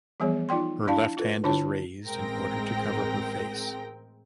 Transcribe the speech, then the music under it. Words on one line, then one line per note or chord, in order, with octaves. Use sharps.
Her left hand is raised in order to cover her face.
E3 F3 G3 B3 G#4 C#5
D#4 F4 D5 G5 C6
D4 E4 D5 F5 A5
F4 A4 B4
D3 D4 E4 F4 C#5 A5
A1 G#3 C4 A#4 G5 A#6